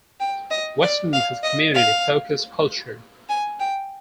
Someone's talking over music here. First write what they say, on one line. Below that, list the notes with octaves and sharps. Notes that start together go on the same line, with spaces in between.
Western has a community focused culture.
G5
D#5
D5
F5
D#5
F5
G#5
G5